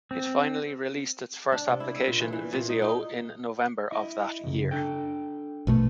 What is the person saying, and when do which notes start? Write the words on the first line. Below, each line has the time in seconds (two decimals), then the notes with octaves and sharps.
It finally released its first application, Visio, in November of that year.
0.11 C4
1.52 D4
1.68 C3
1.80 E4
1.95 E5
2.07 A#2
2.20 E3
2.33 E3
2.53 A#2
2.69 D#4
2.82 D#4
3.92 E4 D#5
4.44 C#2 F#2 C#3
4.71 D4 A4 G5
5.67 A#1 B2 A3